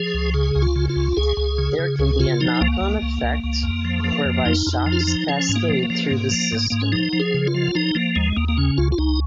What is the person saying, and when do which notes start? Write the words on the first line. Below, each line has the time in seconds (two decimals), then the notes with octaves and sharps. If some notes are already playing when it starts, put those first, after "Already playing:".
There can be a knock-on effect, whereby shocks cascade through the system.
Already playing: F3 G#4
0.14 C#2
0.34 C#3 G#4
0.55 C#2
0.62 F4
0.76 C#3
0.89 F4
0.96 C#2
1.17 C#2 G#4
1.37 C#2
1.58 C#3
1.79 C#3
1.99 C#2 G#4
2.19 C#3 F4
2.40 F3 D#4
2.61 C#2 A#3
2.81 C#2
3.02 C#2
3.23 C#2
3.44 C#2
3.63 F2
3.85 F3
4.04 F3
4.25 F2
4.45 F2 D#4
4.67 F2
4.73 D#4
4.86 F3
4.92 F4
5.01 D#4
5.07 F3
5.28 F3 C#4
5.49 G#2
5.56 A#3
5.69 F3
5.83 A#3
5.90 F3
6.11 G#2
6.31 F3
6.52 G#2
6.70 G#2 A#3
6.81 C#4
6.92 F3 D#4
7.13 F3
7.20 G#4
7.34 C#3
7.47 F4
7.55 F3
7.75 F3 D#4
7.95 F3 A#3
8.16 D#2 G#3
8.37 D#2 A#3
8.49 A#3
8.57 C#3 C#4
8.78 C#2 F4
8.92 F4
8.98 C#2 D#4